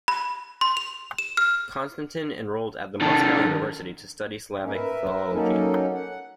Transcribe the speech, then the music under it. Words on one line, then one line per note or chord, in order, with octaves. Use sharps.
Konstantin enrolled at the Moscow University to study Slavic philology.
B5
C6
F7
E7
F6
D#3 A4
G#2 A#3 C#4 D#4
A#4 B4 E5
F#3 A#3 C#4 D#4 A4
F#5